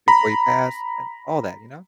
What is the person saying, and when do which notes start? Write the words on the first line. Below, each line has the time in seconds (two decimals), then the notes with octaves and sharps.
before he passed, and all that, you know?
0.08 A#5 B5